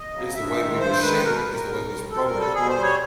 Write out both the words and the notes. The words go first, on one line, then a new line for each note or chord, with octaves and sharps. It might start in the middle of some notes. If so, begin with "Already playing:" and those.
It's the way we was shaped, it's the way we was programmed.
Already playing: D#5
C#3 F#3
G2 E5
D#3 G#3
G2 C5
D#3 G#3 B4
B2 A#4
B4
G3
A#4
B2
G3
B2 A4
A#4
G3
A4
B2 G#4
C5
G3
C#5